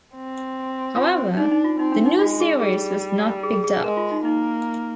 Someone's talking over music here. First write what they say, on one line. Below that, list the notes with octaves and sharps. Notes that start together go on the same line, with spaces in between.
However, the new series was not picked up.
C4
F4
D4 D#4
D#4
F4
C4 D#4
D4
D#4
G#3 F4
G#4
G3 G#4
G#4
G#4
G#4
G#3 A#4
F4
D#4
A#3 D#4